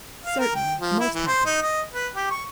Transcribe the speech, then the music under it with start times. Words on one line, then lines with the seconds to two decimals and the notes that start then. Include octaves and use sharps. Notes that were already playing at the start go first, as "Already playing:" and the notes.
"Certainly; most happy."
0.25 F5
0.39 A#4
0.55 G5
0.80 F3
1.00 E4
1.14 E3
1.27 C5
1.45 D#4
1.62 D#5
1.93 B4
2.15 G4
2.30 C#6